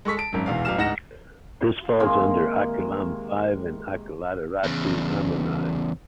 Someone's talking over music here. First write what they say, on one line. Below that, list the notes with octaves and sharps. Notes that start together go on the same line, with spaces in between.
This falls under Akilam five in Akilattirattu Ammanai.
G#3 A4 C#6 B6
A5 D7
G#1 F#2
E1 E2 F5
A1 F#3 F5 F6 E7
D1 G#2 D#4 F#5 A#6 E7
C3 D#3 G#3 A#3
E2 C#3